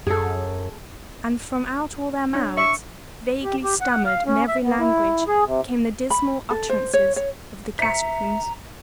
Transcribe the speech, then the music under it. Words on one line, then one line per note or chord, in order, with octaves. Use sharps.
And from out all their mouths, vaguely stammered in every language, came the dismal utterances of the catacombs.
F#2 G#4 A4
D4 C#5
E5 C#6
G4
G4
F#5
F5
C#4
E5
B3
E4
G#4
C3
B5
A4
C5
C#5
C#5
E5 A#5 B6 C#7